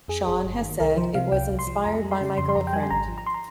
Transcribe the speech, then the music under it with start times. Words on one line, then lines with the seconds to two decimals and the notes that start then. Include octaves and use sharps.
Sean has said it was "inspired by my girlfriend".
0.08 F2 G#4
0.26 G1 G#4
0.45 G1
0.62 D#3
0.80 C2 A#4
0.97 F3 C5
1.15 C3 F5
1.32 C2 G5
1.50 C2
1.59 C6
1.67 F3
1.85 F2 A#5
2.03 G3
2.11 C6
2.21 C#3
2.38 F2 C6
2.49 C6
2.55 F2 A#5
2.67 G5
2.73 G3 G#5
2.83 C6
2.90 G#1 A#5
3.08 F3
3.18 A#5
3.26 C6
3.34 A#5